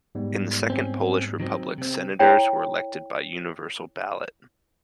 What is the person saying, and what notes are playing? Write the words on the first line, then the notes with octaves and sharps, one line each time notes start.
In the Second Polish Republic, senators were elected by universal ballot.
G#2 G3 B3
C4 C#4
D#3 F#3 C4
C3 C4
E4 C#5 G5